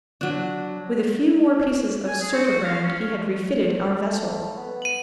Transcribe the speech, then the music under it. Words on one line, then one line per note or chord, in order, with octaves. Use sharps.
With a few more pieces of surturbrand he had refitted our vessel.
F#3 D4
G#5
G#4
F#4
F#4
F5
C#4
A3
B3
D#7 F#7